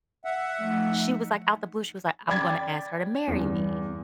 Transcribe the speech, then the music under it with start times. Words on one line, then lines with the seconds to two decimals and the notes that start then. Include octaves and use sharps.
she was, like, out the blue, she was like, "I'm gonna ask her to marry me."
0.25 E5 F#5
0.58 F3 A3 D#4
2.28 D5 G5 B5 D6 G#6 A6
3.28 E2 G2